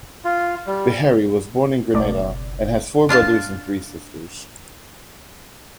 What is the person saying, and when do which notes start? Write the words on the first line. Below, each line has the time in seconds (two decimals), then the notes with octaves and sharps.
Beharry was born in Grenada, and has four brothers and three sisters.
0.25 F4
0.67 G3
1.94 F#1 B1 A3 D5
3.09 D4 F4 F5 A5